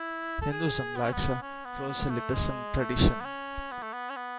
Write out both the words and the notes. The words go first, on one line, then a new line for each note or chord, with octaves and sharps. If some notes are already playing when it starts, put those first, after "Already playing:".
Hinduism lacks a proselytism tradition.
Already playing: E4
A4
G#4
B3
C#4
B3
C#4
B3
B3
A3
G#3
A3
B3
C#4
B3
A3
B3
C#4
B3